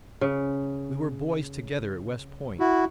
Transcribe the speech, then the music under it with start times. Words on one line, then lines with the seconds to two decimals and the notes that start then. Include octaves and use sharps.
We were boys together at West Point!
0.21 C#3
2.59 E4 F#4